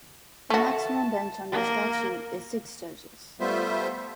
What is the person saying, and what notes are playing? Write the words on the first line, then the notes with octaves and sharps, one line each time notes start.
The maximum bench under statute is six judges.
A3 F#4 A5
A#3 A#4
G3 A3 B3 F4 C5 E5